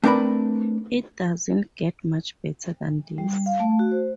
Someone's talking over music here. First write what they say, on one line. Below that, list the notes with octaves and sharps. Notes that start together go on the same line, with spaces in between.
It doesn't get much better than this.
A3 C4 D4 A#4 B4 B5
G3
F5
A3
F#4
C5